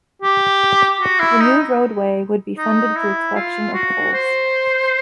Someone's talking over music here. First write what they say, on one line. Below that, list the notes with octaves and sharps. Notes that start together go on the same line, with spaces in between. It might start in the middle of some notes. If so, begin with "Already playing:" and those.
The new roadway would be funded through collection of tolls.
G4
F#4
E4
D#4
D#4
E4
F4
F#4
C5